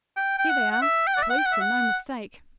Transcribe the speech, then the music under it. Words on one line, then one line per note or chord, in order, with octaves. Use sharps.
'Here they are--p'leece, and no mistake.
G5
G5
F#5
F#5
E5
G5
F#5
D5
E5
F#5
G5
F#5
E5
F#5